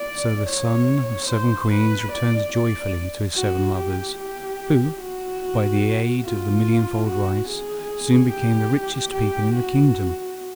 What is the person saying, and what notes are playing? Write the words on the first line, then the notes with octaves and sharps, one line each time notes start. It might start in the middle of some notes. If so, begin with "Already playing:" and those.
So the son of seven Queens returned joyfully to his seven mothers, who, by the aid of the millionfold rice, soon became the richest people in the kingdom.
Already playing: D5
C#5
C5
B4
D5
D5
F#4
G4
G4
F#4
F4
F#4
G#4
G4
G4
F#4